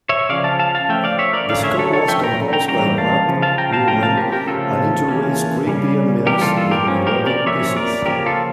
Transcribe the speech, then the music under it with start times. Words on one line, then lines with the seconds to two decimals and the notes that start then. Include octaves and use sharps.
The score was composed by Matt Uelmen and integrates creepy ambience with melodic pieces.
0.09 C#5 E5
0.29 C#3 F3 C#4 D5 F5
0.44 F5 A5
0.59 F5 A5
0.75 F5 A5
0.89 F3 A3 C#4 E5 G5
1.04 D5 F5
1.19 C#5 E5
1.34 A#4 D5
1.49 D3 A3 C#4 D5 F5
1.64 C#5 E5
1.79 A4 C#5
1.93 A4 C#5
2.08 F3 C#4 E5 G5
2.23 G5 A#5
2.53 G5 A#5
2.68 E3 G3 A#3 C#4 G5 A#5
2.98 F5 A5
3.28 C#3 F3
3.42 F5 A5
3.58 G5 A#5
3.73 F5 A5
3.87 F3 A3 C#4 G5 A#5
4.03 F5 A5
4.17 G4 A#4
4.32 G4 A#4
4.47 C#3 F3 A3 C#4 F4 A4
5.08 E3 A#3 C#4
5.67 C#3 G3 C#4
6.26 E3 G3 A#3 G4 A#4
6.41 F4 A4
6.57 F4 A4
6.71 G4 A#4
6.86 F3 A#3 C#4
7.07 G4 A#4
7.26 A#4 D5
7.46 F3 A#3 C#4 C#5 E5
7.76 A#4 D5
8.06 C#3 F3 A#3 C#4 G4 A#4
8.26 F4 A4